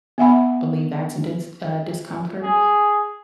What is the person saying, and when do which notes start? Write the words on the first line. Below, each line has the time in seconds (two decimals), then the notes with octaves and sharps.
believe that's a dense uh, discomfort,
0.18 B3 E5 F#5 B5
2.43 G#4